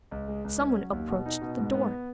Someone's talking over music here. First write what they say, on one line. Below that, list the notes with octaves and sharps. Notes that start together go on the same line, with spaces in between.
Some one approached the door.
C#2
G#3
C#2
C#4
F#3
D#2
B2
D#4
B2
G#2
B3